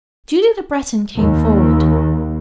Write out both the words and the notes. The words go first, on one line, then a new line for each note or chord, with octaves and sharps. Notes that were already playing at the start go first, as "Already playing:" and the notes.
Julie Le Breton came forward.
D#2